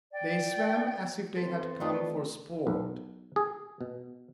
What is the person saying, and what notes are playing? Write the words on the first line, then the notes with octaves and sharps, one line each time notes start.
They swam as if they had come for sport.
D5 G5
B3 C4 A4
A3 F4 B4 D5 A5
B1
G#4
B2